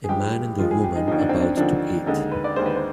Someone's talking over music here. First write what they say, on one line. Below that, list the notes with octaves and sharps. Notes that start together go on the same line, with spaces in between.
A man and a woman about to eat.
G#4
G2 F3 G#3 G4
G2 F3 G#3 F4
G#4
G4
D#4
D#2 D3 F3 D#4
D4
C4
D4
D#2 D3 F3 D4
D#2 D3 G#3 D#4
B4
D5
D#2 D3 G#3 C5
B4
C5